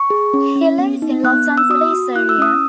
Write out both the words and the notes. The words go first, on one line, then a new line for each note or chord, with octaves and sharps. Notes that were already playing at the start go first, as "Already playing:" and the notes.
He lives in the Los Angeles area.
Already playing: C#6
G#4
C#4
C#4
B3
D#4
B3 F#6
B3
E6
F#4 D#6
F#4
E4 F#6
E6
C#4 D#6